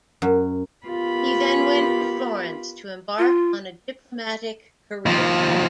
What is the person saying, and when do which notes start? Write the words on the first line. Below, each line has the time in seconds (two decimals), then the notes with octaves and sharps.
He then went to Florence to embark on a diplomatic career.
0.22 F#2
0.87 B3 F4 G4 A#4 B5
3.18 F4
5.06 D#2 F3